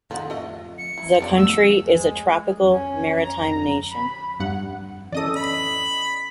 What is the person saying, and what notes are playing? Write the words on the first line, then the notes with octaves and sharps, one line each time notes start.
The country is a tropical, maritime nation.
D#3 F3 G#4 A4 F#5
A3 F4 D#5
C#7
E4
B3 D4 F4 G4 A4 D5
A3 F#4 F#5 E6
G#3
C#4
A#5
B5
G2 F#5
E3 C#4 A4 D5 D#5 D#6
B5